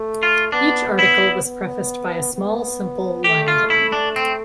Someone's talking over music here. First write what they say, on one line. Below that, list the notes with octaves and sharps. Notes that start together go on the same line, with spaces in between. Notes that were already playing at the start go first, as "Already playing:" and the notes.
Each article was prefaced by a small, simple line drawing.
Already playing: A3
F4
B3 D4
E4
B3
B3
A3 G4
F4
E4
D4
C4